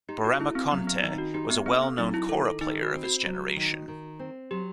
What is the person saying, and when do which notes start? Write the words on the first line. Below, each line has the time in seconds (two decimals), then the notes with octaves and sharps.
Burama Konteh was a well known kora player of his generation.
0.08 D#4 G4
0.25 F#4
0.39 A3 E4
0.55 C4
0.71 F#3 B3
0.87 C4
1.03 D#3 D#4
1.18 F#4
1.34 D#4 G4
1.50 B3
1.66 A3 C4
1.82 C4
1.98 F#3 D#4
2.14 E4
2.29 D#3 A4
2.45 A4
2.61 D#3 D#4
2.82 F#4
2.93 C4
3.04 F#4
3.24 F#3
3.56 D#3
3.88 D#3
4.19 C4
4.51 F#3 G4